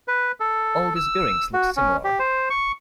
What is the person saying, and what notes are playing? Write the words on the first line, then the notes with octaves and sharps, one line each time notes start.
All these bearings look similar.
B4
A4
E6
F#4
C#4
G4
C5
C#6